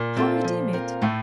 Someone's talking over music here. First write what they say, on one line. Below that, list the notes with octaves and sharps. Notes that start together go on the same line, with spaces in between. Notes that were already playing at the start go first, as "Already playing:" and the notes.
How redeem it?'
Already playing: A#2
C4 F4 A4 E5
F3
C4 F4 A#4
A2 A3